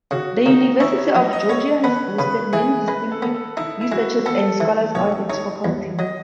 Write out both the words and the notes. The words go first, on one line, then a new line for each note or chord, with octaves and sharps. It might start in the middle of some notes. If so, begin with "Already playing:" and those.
The University of Georgia has boasted many distinguished researchers and scholars on its faculty.
C#3 F#4
C#3 D#4
C#4 E4
C#5
F#3 D#5
D#5
B3 C#5
B3 B4
C#3 B4
E3 G#4
G#3 B4
A4
B3
A4
D#4 E4
E4
G#3 F#4
B3 A4
E3
B1 C#5
D#4 C#5
E2
F#3 D#5